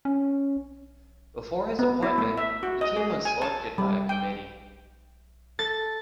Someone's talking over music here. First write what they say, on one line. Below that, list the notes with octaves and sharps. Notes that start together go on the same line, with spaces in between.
Before his appointment the team was selected by a Committee.
C#4
B3
E4
A3
E5
F#4
D#5
G#4
G#5
A5
G3
G5
A4 A6